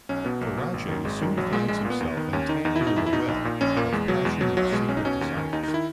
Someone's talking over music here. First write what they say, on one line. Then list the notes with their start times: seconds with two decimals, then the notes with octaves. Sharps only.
Coraje soon finds himself entangled in a web of passion and secret desires.
0.09 B1 C#4
0.25 B2 B3
0.41 B1 A#3
0.57 B2
0.74 G#1
0.88 F#2 D#3
1.05 G#1 G#3
1.21 F#2 D#3
1.37 A#1 F#3
1.53 A#2 G#3
1.68 A#1 G#3
1.85 A#2
1.90 B3
2.00 D#2
2.17 D#3
2.33 D#2 C#4
2.49 D#3 D#4
2.65 E2 D#4
2.76 E4
2.81 B2
2.87 D#4
2.96 E2 E4
3.06 E4
3.13 B2 D#4
3.28 A#1
3.45 A#2
3.61 A#1 C#4
3.76 A#2 A#3
3.92 E2 G#3
4.08 B2 F#3
4.25 E2 G#3
4.41 B2 F#3
4.57 B1 F#3
4.72 B2 G#3
4.88 B1 C#4
4.97 D#4
5.05 B2 C#4
5.21 D#2
5.37 D#3
5.53 D#2 D#4
5.63 D#3 D#4
5.74 E4